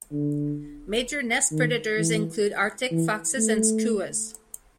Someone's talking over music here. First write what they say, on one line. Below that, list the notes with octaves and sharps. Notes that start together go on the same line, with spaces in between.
Major nest predators include Arctic foxes and skuas.
D3
D#3
E3
E3
A3